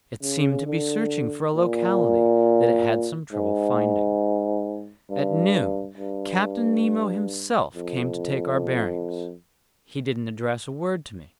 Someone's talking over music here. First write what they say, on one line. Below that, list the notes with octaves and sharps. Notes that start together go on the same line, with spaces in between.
It seemed to be searching for a locality that it had some trouble finding. At noon Captain Nemo himself came to take our bearings. He didn't address a word to me.
C#3
D3
A#2
G#2
G2
G2
F2